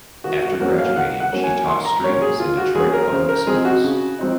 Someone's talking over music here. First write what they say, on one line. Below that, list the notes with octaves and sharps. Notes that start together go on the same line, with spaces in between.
After graduating, she taught strings in Detroit public schools.
D#3 F#4
F#4
F#3 A#3 C#4 F#4
F5
D#3 F#5
F#5
F#3 A#3 C#4
G#5
D#3 C6
A#5
F#3 A#3 C#4 C#5
G#4
D#3 F4
F#4
F#3 A#3 C#4 G#4
A#4
C#3 C5
A#4
F3 C4 D#4 G#4
F#4
C#3
F3 C4 D#4